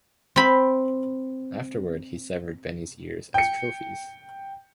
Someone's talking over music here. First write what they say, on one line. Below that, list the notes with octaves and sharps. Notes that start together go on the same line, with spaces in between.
Afterward, he severed Beni's ears as trophies.
C4 B5
G5 C#7